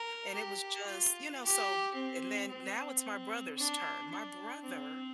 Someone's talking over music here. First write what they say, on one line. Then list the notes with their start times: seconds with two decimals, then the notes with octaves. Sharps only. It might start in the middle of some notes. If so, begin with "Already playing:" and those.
and it was just, you know so, and then now it's my brother's turn. My brother
Already playing: A#4
0.34 G4
0.87 F4
1.42 G4
1.95 C4
2.49 C4
3.57 D4
4.10 D4
4.64 C4